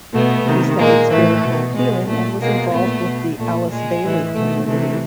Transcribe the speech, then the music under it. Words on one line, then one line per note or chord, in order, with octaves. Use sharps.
He studied spiritual healing, and was involved with the Alice Bailey community.
B2 A3 B3
C3 D#3
A#2 G#3 A#3
A2 E3 A3
B2
B2 G#3
A#2 A3
B2 G#3 A#3
A#2 A3 B3
B2
A#2 A3
A#2 G#3
A2 E3
B2 A3
C3 E3 A3